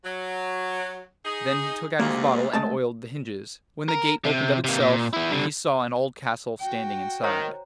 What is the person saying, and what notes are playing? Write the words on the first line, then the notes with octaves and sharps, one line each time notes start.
Then he took out his bottle and oiled the hinges, when the gate opened of itself, and he saw an old castle standing inside.
F#3
D#4 G#4
D2 C3 G#3 A#3
G#3 A3 A5
A#4
C3
C3 A#3
A#2
B3 E4
D3 G3
F#4 G5
D#3 C5 C#5 A#5